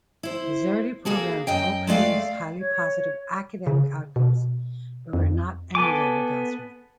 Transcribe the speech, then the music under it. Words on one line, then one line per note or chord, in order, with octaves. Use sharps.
These early programs all produced highly positive academic outcomes, but were not emulated elsewhere.
E4 C5
A#3 F#4 G#4 A4
F#2 D#5 G5
G#3 A3 D5 F5
C#5
C#3
B2
F2
B3 A4 G#5 D6